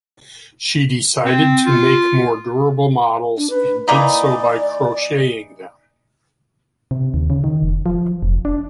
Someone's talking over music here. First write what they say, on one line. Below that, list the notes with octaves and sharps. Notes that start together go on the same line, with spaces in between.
She decided to make more durable models, and did so by crocheting them.
C4
F4
D4
B4
E3 A#3 D#4 D5
C3
D#2
C#3
D#3
F1
F3
F1
D4